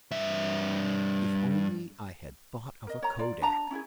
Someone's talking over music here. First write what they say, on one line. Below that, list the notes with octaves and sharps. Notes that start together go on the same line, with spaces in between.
If only I had thought of a Kodak!
G2 E5
A#4 D#5
C#5 A#5
F4 D5
D4 A5 A#5
C#4 E4 G4 G#4